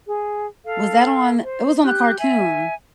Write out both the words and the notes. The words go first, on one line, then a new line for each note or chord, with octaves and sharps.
Was that on it was on a cartoon.
G#4
A4 F5
C5
G4 F#6 G6
E5 G#5